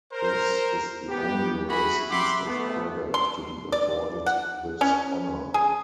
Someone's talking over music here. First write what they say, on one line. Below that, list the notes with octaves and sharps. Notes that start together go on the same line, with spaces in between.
This is the only race east of Quebec to be afforded this honour.
A#4 C5
B3 G4
F#4 G#4 E5 B5
G4 E5 F#5 B5 C6 D6
A3 B3
C6
D5
F#5
C#4
G#4